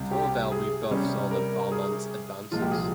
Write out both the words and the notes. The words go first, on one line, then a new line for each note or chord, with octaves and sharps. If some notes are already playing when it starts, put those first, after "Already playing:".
Tourvel rebuffs all of Valmont's advances.
Already playing: C2 C3 G3 C4
G4
G#4
C3 G3 C#4
A#4
G#4
C2 A#2 F3 G#3 F4
G4
G#4